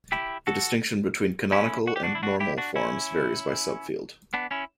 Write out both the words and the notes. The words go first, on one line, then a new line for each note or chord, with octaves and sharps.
The distinction between "canonical" and "normal" forms varies by subfield.
E4 G4
F#4 A4
C#4 E4
F#4
G4
D4 F#4
E4
D4 F#4
E4 G4
D4 F#4
C#4 E4
B3 D4
C#4 E4